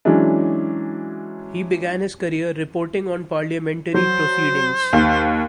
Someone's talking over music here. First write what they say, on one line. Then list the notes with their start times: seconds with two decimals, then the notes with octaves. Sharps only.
He began his career reporting on parliamentary proceedings.
0.05 E3 F#3 G#3 C#4 D4
3.94 F#3 C5
4.93 D#2